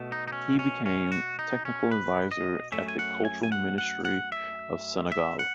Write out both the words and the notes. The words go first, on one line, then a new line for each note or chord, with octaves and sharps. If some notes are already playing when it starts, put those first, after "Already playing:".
He became technical advisor at the Cultural Ministry of Senegal.
Already playing: B2 A3
D#4
D#4
C#4
C#4
C#4
F#4
D#4
C#4
B4
D#5
F#2 D#3 A3 C#4 E5
G#5
F#5
G#5
G#5
F#5
F#5
F#5
E5
E5
F#5